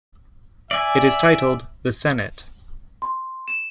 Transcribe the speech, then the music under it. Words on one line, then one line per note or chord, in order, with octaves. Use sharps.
It is titled, The Senate.
D5 E5 G#5
C6
E7